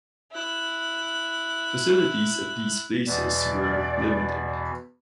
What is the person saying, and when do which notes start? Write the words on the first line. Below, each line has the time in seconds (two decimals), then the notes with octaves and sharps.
Facilities at these places were limited.
0.31 E4 F#6
3.07 E2 B2 E3 D5